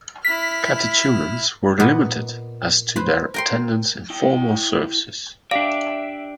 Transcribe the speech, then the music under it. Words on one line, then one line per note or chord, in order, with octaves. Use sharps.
Catechumens were limited as to their attendance in formal services.
E4 F6 B6
A#2 B3 B4 D#5
B4 C5 B5
A#4 G5 C6
E4 G5
D4 G4 D5 E5 F5